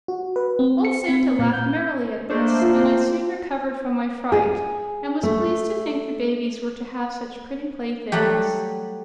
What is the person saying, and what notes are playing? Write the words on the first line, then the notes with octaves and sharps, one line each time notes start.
Old Santa laughed merrily at this, and I soon recovered from my fright and was pleased to think the babies were to have such pretty playthings.
F#4
B4
C4
C#7
C4
A#2
G6
A3 A#3 D4 C5
F4
G#4
A3
F#3 G3 A3 G4